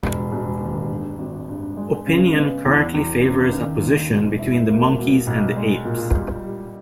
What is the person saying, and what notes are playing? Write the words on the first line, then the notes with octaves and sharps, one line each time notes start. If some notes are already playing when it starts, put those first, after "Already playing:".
Opinion currently favors a position between the monkeys and the apes.
E1
E1
D#2
G2
G#1
G2
G#3
C#3
B3
E2
E2
C#3
D#3
D#2
E1
E4
A#3
B2
B1
G#3
A#2
G3
G3